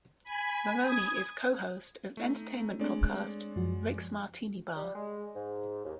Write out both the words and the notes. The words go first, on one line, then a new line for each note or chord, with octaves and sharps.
Maroney is co-host of entertainment podcast Rick's Martini Bar.
G#5 B5
D#6 G#6
A3 D#4
G#3 A3 C4 D4 C#5 D5
F#2 F3 F#4
G3
G#3
G#2
D#2